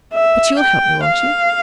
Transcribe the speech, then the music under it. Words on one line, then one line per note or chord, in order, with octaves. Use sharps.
But you'll help me, won't you?
E5
G5
F5